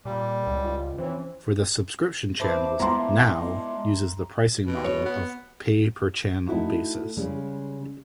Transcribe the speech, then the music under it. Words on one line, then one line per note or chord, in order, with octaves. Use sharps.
For the subscription channels, "Now" uses the pricing model of pay-per-channel basis.
A#2 G3
C#2
F4
E3 C4 C#4
C4 B4 E5 A5 D6
G#3 B3 E4 F4 A#5 C6
B2
C#5
B3
A3 D#4 E4 F#4
C#3 G3 G#3